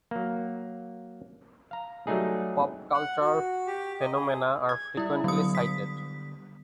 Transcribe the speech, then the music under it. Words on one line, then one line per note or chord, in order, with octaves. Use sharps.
Pop cultural phenomena are frequently cited.
F#3 A#3
F5 A#5
F#3 G3 A3 D#4 G#4
F#5
F#4
G4
D#5
G#4
G#6
G3 E4 E5
D3 F#3 G3 B3 D#6
B6